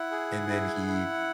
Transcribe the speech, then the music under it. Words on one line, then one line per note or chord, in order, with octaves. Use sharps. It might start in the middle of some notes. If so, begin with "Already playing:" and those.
and then he
Already playing: E4 F#5
G#4
E4
E4